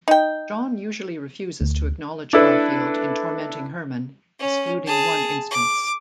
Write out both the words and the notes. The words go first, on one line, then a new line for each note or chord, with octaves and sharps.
Jon usually refuses to acknowledge Garfield in tormenting Herman, excluding one instance.
D#4 G5
D2
D4 E4 A4 B4
C#4
G#4 A5
D6